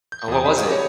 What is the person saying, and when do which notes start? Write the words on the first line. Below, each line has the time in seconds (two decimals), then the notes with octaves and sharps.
Oh, what was it?
0.12 G6
0.28 E2 G#5 D#6
0.44 C5 D#5 B5
0.58 G4 G#4 F5
0.72 C#5